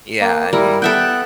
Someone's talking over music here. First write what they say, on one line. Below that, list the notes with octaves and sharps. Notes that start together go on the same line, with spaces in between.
Yeah, I mean
A#3
G3 E4 A#4
B3 A4 E5 G5 F#6